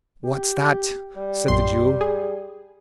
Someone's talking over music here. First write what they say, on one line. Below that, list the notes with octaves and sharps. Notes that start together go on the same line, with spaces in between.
'What's that?' said the Jew.
G4
G3
A#1 F#2 C6
G#4